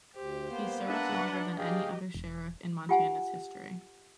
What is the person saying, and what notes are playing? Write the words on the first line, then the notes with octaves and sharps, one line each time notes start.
He served longer than any other sheriff in Montana's history.
D2 G4 C5
A#3 B3 C5
D4 B4 E5 F#5 A#5
F#3 G4 G#4 D#5 F5 G5
E1
F4 G4 F#5 G#5